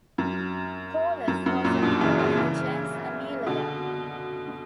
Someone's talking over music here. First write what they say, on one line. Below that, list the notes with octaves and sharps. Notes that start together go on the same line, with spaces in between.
Paullus was a member of the gens Aemilia.
F#2
F#2
F#2
F#2 A#2
G2 B2
C#3 E3
A#2 C#3
C#3 E3
B2 D3